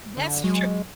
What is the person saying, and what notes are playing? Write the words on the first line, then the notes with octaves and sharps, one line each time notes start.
that's true,
D3
F#3 G#3